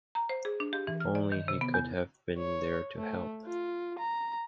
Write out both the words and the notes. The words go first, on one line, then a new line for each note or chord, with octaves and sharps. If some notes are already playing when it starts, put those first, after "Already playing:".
If only he could have been there to help.
A#5
C5
G#4
D4
G4
E3
F6
D5
D#3
C3
B3
E2
C#5
A3
F4
A#5